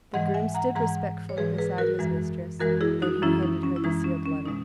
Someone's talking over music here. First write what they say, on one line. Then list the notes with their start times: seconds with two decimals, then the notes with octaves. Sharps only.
The groom stood respectfully beside his mistress, then he handed her the sealed letter.
0.14 G#2 E3 G#3 D#5 F#5
0.34 E5 G#5
0.54 F#5 A#5
0.75 G#2 E3 G#3 F#5 A#5
1.29 C#5
1.37 G#2 E3 G#3 G#4 B4
1.58 G#4 B4
1.78 F#4 A#4
1.99 F#2 E3 G#3
2.60 F#2 E3 G#3 F#4 A#4
2.81 E4 G#4
3.02 D#4 F#4
3.23 F#2 E3 G#3 C#4 E4
3.43 D#4
3.63 C#4
3.76 E4
3.84 F#2 E3 G#3 D#4
4.04 C#4
4.26 C#4
4.46 B2 G#3 D#4